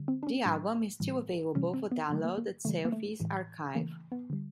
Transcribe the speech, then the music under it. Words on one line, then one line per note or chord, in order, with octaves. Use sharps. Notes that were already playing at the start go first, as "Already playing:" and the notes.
The album is still available for download at Selfies' archive.
Already playing: D3 G3
C4
D4
C#4
A2 F#3 A3 D4
A2 E3 G3
C3 E3 G3 C#4
C4
B3
D3 F#3 A3
A#3
A#3
C#3 E3 G3 A3
A#3
A3
A2 E3 G#3
C#3 E3 A3 A#3
B3
D3 G3